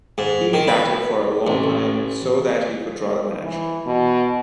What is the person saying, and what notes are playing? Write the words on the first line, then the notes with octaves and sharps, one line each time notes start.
He batted for a long time so that he could draw the match.
G#2
D#3
B4
A1
E3
B2